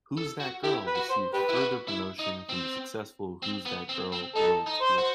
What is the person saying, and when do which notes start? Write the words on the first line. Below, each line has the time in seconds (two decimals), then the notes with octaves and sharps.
"Who's That Girl" received further promotion from the successful Who's That Girl World Tour.
0.17 A4
0.40 F#4
0.64 E4 G4
0.87 B4
0.95 F#4
1.10 C5
1.33 G4 B4
1.49 E4
1.56 F#4
1.88 E4
2.19 D#4
2.49 C4
3.42 C4
3.66 B3
3.89 C4
4.12 C4
4.36 D#4 A4
4.67 D#4
4.82 C5
4.98 F#4